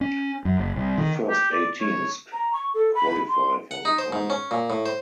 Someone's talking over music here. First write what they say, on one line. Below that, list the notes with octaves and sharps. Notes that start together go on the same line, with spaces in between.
The first eight teams qualify for the final.
C#4
F#2
F#1
C2
D#3
G4
D5
C#5
A#5
C#6
A4
B5
C6
F#5
D#4
C5
G#2
C#4
A#2
A2
C5